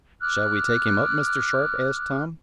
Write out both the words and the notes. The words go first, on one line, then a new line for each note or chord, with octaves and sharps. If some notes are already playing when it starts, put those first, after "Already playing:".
"Shall we take him up, Mr. Sharp?" asked Tom.
D6 F6 F#6